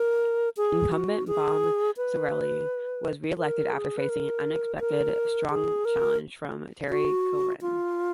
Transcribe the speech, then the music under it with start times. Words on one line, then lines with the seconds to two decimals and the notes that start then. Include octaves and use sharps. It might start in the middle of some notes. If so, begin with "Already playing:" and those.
Incumbent Bob Chiarelli was reelected after facing an unexpectedly strong challenge from Terry Kilrea.
Already playing: A#4
0.57 G#4
0.92 F#4
1.27 G#4
1.97 B4
3.38 A#4
3.73 G#4
3.97 B4
4.09 A#4
4.80 A#4
5.50 G#4
5.85 A#4
6.90 F#4
7.61 F4